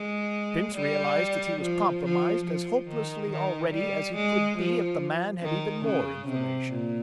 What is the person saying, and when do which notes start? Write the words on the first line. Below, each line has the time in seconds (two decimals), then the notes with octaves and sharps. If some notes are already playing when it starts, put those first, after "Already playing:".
Bince realized that he was compromised as hopelessly already as he could be if the man had even more information.
Already playing: G#3
0.76 G3
1.61 F3
2.04 F3
2.46 F3
2.89 D#3
3.31 D#3
3.74 G3
4.16 G#3
4.58 F3
5.43 D#3
5.86 C#3
6.28 C3
6.71 A#2